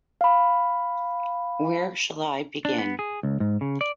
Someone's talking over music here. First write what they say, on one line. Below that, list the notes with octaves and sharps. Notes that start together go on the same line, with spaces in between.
Where shall I begin?
F5 B5
D4
B3
G#4
C#2
G#2
C#3
D5